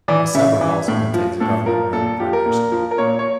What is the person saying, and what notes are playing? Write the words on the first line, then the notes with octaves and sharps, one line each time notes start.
The suburb also contains a government run primary school.
E3 D5
C#3 E5
E3
A2
F3
A2 A4
F3 A#4
A#2 A4
A4
F3 G4
A#4
A#2
F3
A#4
A#2 C#5
C#5